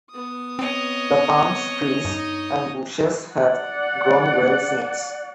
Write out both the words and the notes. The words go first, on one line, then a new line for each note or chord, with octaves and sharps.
The palms, trees and bushes have grown well since.
B3 D#6
C4 C#5 D#5
G2 D#4 D#6
D5 F#5